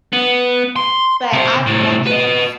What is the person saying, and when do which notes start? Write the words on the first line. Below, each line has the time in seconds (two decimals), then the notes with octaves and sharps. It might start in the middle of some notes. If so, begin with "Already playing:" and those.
But I've watched those
0.13 B3
0.76 C6
1.33 C3 C5
1.66 A2 C3
2.07 B4 D#5